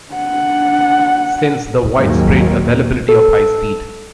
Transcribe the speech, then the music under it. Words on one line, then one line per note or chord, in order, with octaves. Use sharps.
Since the widespread availability of high speed.
D4 F#5
D#2 G#2 D#3 F#3 G#3 A#3
A4